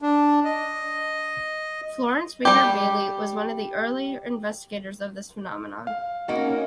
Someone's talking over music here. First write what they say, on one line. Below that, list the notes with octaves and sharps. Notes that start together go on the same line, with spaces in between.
Florence Winger Bagley was one of the early investigators of this phenomenon.
D4
D#5
G3 G4
F5
A#3 C#4 D#4 F#4